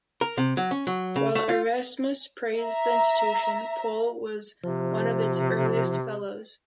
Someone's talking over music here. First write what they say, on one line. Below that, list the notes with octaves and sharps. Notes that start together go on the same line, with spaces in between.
While Erasmus praised the institution, Pole was one of its earliest fellows.
A#4
C3
F#3
C#4
F#3
C#3
A3
F4
E5 A#5
C3 F3